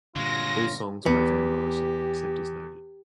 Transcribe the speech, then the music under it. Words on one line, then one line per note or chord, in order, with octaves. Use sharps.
All songs by Van Morrison except as noted.
G2 A#2 D3 F#3 G#3 F4 A#6
E2 B3 G4